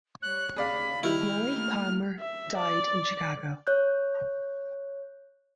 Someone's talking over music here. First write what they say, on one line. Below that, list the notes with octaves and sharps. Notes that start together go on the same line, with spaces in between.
Roy Palmer died in Chicago.
G3 C#5 F#6
D#2 C#3 G#4 D5 F5 B5
D#3 G3 E4 F6
A3 A#3
E5
D5
C#5 F#6 G6